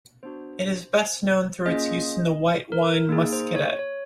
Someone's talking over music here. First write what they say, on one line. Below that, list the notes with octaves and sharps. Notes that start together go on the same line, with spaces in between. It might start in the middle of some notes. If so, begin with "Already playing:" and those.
It is best known through its use in the white wine Muscadet.
B3 D4 F#4 C5
A#3 C#4 F4 G#4 D#5
A#4
A#3 D#4 G#4
C5
C#5
C#5